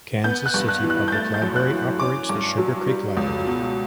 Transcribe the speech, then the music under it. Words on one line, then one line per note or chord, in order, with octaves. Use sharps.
Kansas City Public Library operates the Sugar Creek Library.
B3 G6
F#6
G2
F#6
E3
F#6
G6
A3 A6
G6
F#2
F#6
E3
C#4 D6
G2
F#3
G3
C#2
B2